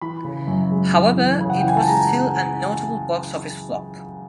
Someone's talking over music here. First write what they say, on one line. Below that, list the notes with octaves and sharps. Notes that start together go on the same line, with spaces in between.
However it was still a notable box office flop.
E3 B5
C#3
F#2
G#3
E3
E3
C#3
F#5
G5
E3 G#5
A5
G#3 A#5